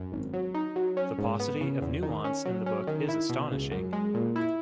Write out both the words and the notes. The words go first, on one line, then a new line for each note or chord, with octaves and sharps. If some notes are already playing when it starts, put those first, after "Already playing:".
The paucity of nuance in the book is astonishing.
Already playing: F#2
G#1
F#3
D#4
F#3
C#4
G#2
B3
C#3
E2
D#3
C#4
F#3
C#4
D#3
E4
B2
C#2
F#2
G#3
A#2
E4